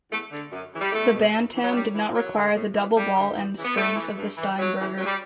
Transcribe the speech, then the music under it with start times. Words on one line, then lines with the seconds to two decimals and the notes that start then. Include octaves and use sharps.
The Bantam did not require the double-ball end strings of the Steinberger.
0.10 E2 A3
0.31 D3
0.51 F#2
0.72 C#3 E3
0.81 G3
0.92 E2 A3
1.12 B2
1.33 F#2
1.53 E3
1.62 F#3
1.73 G2 G3
1.94 E3
2.14 E2 F#3
2.34 D3
2.54 A2
2.74 E3
2.95 E2 G3
3.15 D3
3.35 E2
3.56 C#3 E3
3.65 B3
3.76 A2 A3
3.96 E3
4.17 G2
4.37 E3
4.57 E2 F#3
4.78 C#3 E3
4.98 F#2 F#3
5.05 G3